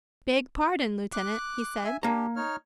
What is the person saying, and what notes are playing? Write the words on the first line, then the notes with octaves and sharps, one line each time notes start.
"Beg pardon, lieutenant," he said.
D6 F#6
E5 G#5
A#3 D4 G4 A#5
D#4 C#5 F6